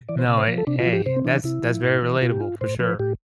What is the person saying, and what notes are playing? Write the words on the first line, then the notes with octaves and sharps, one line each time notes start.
No, hey hey, that's that's very relatable for sure.
E3 D5
C5
C3
C5
F3
A4
C3 D4
F4
F3
G4
C3 C5
C4
E3 D4
C3 E4
F3
A2
E3
B2 F4
G4
F4
A2 C5
F3 B4
A2 G4